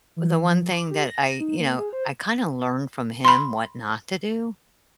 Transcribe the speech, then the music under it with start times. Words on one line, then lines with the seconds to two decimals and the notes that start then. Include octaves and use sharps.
the one thing that I you know, I kinda learned from him what not to do
0.16 E3
0.48 F3
0.72 D6
0.91 G4
1.07 A#6
1.40 D#4
1.59 A#3
1.78 G#4
1.93 C5
3.25 B5 C6